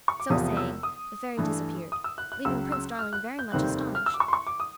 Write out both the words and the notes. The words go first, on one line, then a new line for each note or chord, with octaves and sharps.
So saying, the Fairy disappeared, leaving Prince Darling very much astonished.
C#6
D6
E1 E2 C3 F3 D#6
E6
D#6
G2 E3 A3
D#6
E6
F#6
F#6
C#2 C#3 F#3 E6
E6
F6
F#6
G6
F1 D#2 D#3 G3 C4 F#6
F6
E6
D6
C#6
C6
C#6
D6
D#6